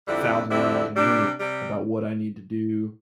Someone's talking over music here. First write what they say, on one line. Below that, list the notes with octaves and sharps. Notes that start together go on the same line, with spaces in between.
thousand miles a minute about what I need to do,
F2 D3 G3 C4 E4
F2 D3 G3 C4 E4
C3 G3 D4
C3 G3